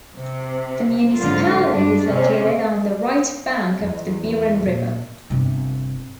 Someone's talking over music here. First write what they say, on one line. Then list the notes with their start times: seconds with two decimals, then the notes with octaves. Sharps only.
The municipality is located on the right bank of the Buron river.
0.15 C3
1.17 G#2 D3 F#3 F4
1.71 G2 D4
2.09 C3 C4 C#4
3.80 E2
4.63 A#2
5.30 G1 C3